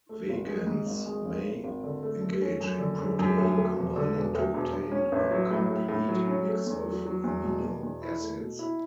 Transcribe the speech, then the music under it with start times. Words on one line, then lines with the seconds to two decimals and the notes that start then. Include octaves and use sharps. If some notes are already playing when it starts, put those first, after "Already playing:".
Vegans may engage in protein combining to obtain a complete mix of amino acids.
0.09 A3
0.29 G#1
0.47 G#3
0.67 G#2
0.86 G#1
1.06 G#3
1.25 G#1
1.45 G#1
1.64 G#1
1.84 D3
2.03 A3
2.21 A3
2.42 C#4
2.60 F#2
2.79 D3
2.98 F#2
3.19 F#2
3.38 D2
3.58 D2
3.76 E1
3.96 D3
4.15 E1
4.35 D2
4.54 E1
4.73 E1
4.92 C#4
5.12 A1
5.31 F#3
5.51 A2
5.70 A2
5.89 A2
6.08 F#3
6.27 C#4
6.47 A3
6.67 E2
6.86 F#3
7.05 F#3
7.24 E2
7.44 B2
7.63 B2
7.83 E2
8.02 E4
8.21 A3
8.40 B2
8.59 E4